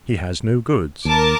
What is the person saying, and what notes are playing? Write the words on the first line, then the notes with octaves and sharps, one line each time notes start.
He has no goods.
D#2 A#4 A5 D6